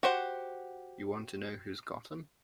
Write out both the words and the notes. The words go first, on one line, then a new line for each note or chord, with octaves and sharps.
You want to know who's got 'em?
F#4 G4 C5 F#5